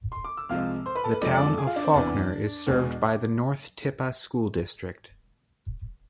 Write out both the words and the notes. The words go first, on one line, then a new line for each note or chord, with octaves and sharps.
The Town of Falkner is served by the North Tippah School District.
C6
D6
E6
C2 C3 F3 G#3 F5 F6
C5 C6
B4 B5
A4 A5
B4 B5
F2 D3 F3 G#3 D5 D6
D5 D6
A4 A5
G#4 G#5
F4 F5
D4 D5
C4 C5
E2 C3 E3 D4 D5
E2 B2 G#3